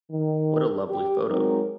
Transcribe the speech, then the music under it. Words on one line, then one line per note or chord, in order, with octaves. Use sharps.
What a lovely photo.
D#3
G4
F#3 G#3 C4 D#4 A#4